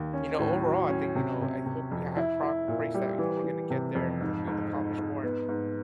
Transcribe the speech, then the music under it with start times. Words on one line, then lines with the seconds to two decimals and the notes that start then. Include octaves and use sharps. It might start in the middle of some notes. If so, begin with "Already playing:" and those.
you know, overall, I think, you know, I hope we have prop praise that, you know, we're gonna get there, and we're gonna be able to accomplish more and
Already playing: D#2
0.13 C#4
0.38 A2
0.64 F#3
0.89 C#4
1.15 C3
1.41 C3
1.66 C3
1.91 F2
2.17 E4
2.43 E4
2.68 A#2
2.94 G3
3.19 E3
3.44 E3
3.70 C3
3.95 F2
4.21 G#2
4.47 G#2
4.73 G#2
4.98 G#2
5.23 B3
5.49 G#2